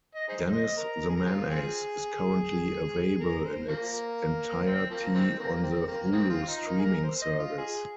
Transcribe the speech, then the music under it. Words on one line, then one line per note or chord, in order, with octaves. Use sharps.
"Dennis The Menace" is currently available in its entirety on the Hulu streaming service.
D#5
D#4 G#4 C5
D#5
A#4
A#4
G#4
A#4
G#3 C4 F4
C4 F4 G#4
A#4
C5
F3 A#3
C4
F3 A#3
D#3 G#3 C4
A#3
A#3
C4
A#3
A#3
D#3 G#3 C4
F4
D#4
A#3
G#4
A#4
C5
D#5
F4
G#4